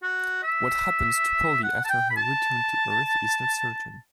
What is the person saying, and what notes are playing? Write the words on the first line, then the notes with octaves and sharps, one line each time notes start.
What happens to Polly after her return to Earth is not certain.
F#4
E5
F#5
A5
G5
B5
A5